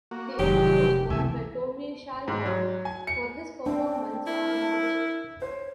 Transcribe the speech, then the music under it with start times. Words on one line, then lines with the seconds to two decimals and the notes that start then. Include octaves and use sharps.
The Emmy was won by Tony Shalhoub for his performance on "Monk".
0.11 A#3 F#4
0.39 F1 D#3 F#3 G#3 G4
1.10 C#2 C3 E3 A3 E5 G#5
2.28 G#2
2.46 F#3
2.85 G#5
3.07 C#7
3.66 C4 D4 G5
4.27 E4 A#4
5.42 C5 C#5